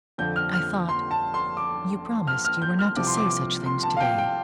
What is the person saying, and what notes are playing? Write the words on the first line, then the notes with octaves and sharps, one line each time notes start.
"I thought--you promised--you were not to say such things today."
F2 D3 F3 G6
F6
F6
C6
A5
C6
D6
F6
F6
G6
F6
C2 C3 F3 D6
C6
D6
C6
A5
F5
G5
G5